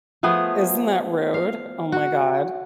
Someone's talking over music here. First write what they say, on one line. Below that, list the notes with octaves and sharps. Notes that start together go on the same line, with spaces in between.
Isn't that rude? Oh my god.
F3 A3 B3 G#4
F5
F#4